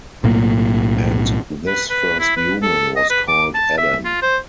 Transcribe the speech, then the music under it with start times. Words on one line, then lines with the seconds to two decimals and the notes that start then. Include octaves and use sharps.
And this first human was called Adam.
0.24 B1 A2 A#3
1.67 B4
1.90 B4
2.20 E4
2.37 B4
2.63 A4
2.96 D#5
3.10 B4
3.28 D6
3.54 A5
3.78 E5
4.05 F4
4.22 C5